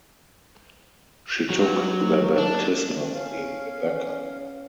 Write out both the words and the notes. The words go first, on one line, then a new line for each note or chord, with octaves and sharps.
She took the baptismal name "Rebecca".
F#3
D4
C#4 F5